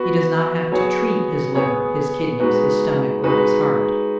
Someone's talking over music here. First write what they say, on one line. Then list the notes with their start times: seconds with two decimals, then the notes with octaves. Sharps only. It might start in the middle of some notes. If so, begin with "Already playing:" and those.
He does not have to "treat" his liver, his kidneys, his stomach, or his heart.
Already playing: B3 F#4 B4
0.72 F#3 B3 G#4 C#5
1.55 B3 G#4 C#5
2.40 G#3 B3 D#4 F#4 B4
3.24 G#3 D#4 F#4 B4